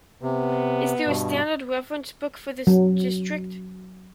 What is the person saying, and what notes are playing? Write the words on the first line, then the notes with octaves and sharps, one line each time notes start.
Is there a standard reference book for this district?
C3 B3
G2 B2
F#3